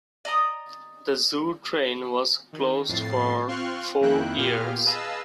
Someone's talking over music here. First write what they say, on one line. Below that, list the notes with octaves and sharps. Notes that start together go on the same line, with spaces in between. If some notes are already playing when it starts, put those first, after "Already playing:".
The zoo train was closed for four years.
D5 D#5 A#5 D#6
D#3
F2 A2 A6 C7
C4 F4 C6 C#6 F6 F#6
F2 D#3 A#3 E4 G5 F#6
A#2 B3 F4 G4 G#4 F6
G#4 B4 D#5 F5 A5 E6